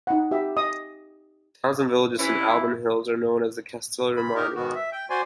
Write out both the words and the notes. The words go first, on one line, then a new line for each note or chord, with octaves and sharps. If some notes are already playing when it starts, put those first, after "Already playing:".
The towns and villages in the Alban Hills are known as the Castelli Romani.
D#4 F#5
G4 E5
D#5 D#6
C3 E3 C#4 E4
B5
D#4 G4 A#4
G#2 B2 D#3 B3 F#4
E5
G5
F#4 C5 D5 G#5 C6